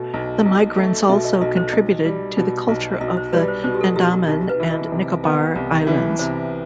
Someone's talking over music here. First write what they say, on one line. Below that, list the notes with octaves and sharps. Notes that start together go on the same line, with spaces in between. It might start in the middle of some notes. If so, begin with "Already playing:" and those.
The migrants also contributed to the culture of the Andaman and Nicobar Islands.
Already playing: B2 A3
B1
B1
A3
B2 E5
D#5
B1 D#5
C5
B1 D#5
G3
B2
B1
B1 D#5
C5
G3 B4
C5
B2 C5
G4
A4
B1 G4
F#4
C2 D#4
B4
E3
D#5
C3
B3
C2
E3
C3 C5